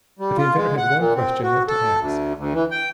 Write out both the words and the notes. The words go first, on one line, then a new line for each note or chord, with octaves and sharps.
But the inventor had one question yet to ask.
G3
F4
G#3
F#5
A#2
C4
F#4
A4
D2
D2
E3
G5